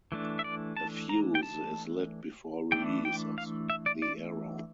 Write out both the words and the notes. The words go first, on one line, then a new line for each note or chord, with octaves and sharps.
A fuse is lit before release of the arrow.
E3 A3 D4
E5
D5
A5
A#5
G5
A5
E3 A3 D4 G5
G5
F5
E5
D5
D5